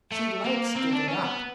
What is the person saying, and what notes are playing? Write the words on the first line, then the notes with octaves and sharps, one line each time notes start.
"She likes giving up."
A3
A#3
C4
D4
C#4
B3